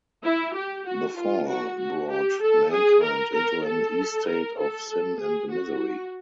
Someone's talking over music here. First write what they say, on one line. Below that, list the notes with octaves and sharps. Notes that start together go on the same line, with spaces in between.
The fall brought mankind into an estate of sin and misery.
E4
G4
F#4
F4
F#4
F#4
G4
A4
G#4
A#4
A#4
A4
A#4
A4
A4
G#4
F#4